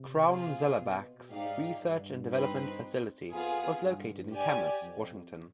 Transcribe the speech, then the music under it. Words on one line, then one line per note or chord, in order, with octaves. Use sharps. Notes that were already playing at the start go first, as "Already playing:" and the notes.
Crown Zellerbach's research and development facility was located in Camas, Washington.
Already playing: C3
F4 G#4 C5
B2
G#2 D#4 G4 D5 F5
G2
C4 D#4 B4
F2 B3 F4 G#4
G2
G4 D5 G#5
F2